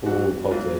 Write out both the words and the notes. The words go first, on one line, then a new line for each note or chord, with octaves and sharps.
Ooh, poke,
G#2 F#3 F#4
G#2 F#3 F4